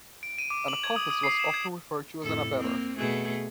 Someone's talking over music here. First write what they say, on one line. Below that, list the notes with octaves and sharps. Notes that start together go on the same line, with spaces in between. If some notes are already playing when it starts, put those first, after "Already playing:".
An accomplice was often referred to as an abettor.
D7
D#7
D6
F#7
G#6
D#6
D#6
C7
E7
G#6
F2 A2 A4
A#3 C4
B2 A3 G#4